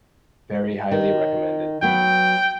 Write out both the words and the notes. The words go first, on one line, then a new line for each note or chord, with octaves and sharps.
Very highly recommended.
D#3
F#3 B3 G5